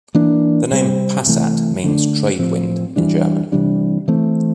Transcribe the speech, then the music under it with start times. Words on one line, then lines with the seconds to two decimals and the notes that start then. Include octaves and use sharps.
The name "Passat" means "trade wind" in German.
0.15 E3 A#3 D4
0.71 C3 G3 C4
1.27 C3 E3 A3
1.84 D3 A3 D4
2.39 A2 F3 C4
2.96 E3 G3 D4
3.52 C3 E3 G3 D4
4.08 E3 A3 C4